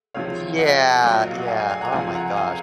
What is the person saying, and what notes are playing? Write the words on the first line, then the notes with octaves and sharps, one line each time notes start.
Yeah, yeah, oh my gosh.
C#2 C3 F3 C#5 F5
D#5 F#5
A#1 A#2 F#3
F5
F#5
F5 G#5
F5 G#5
F5 G#5
F#5 A#5
C#2 C3 F3 F5 G#5
F#5 A#5
F5 G#5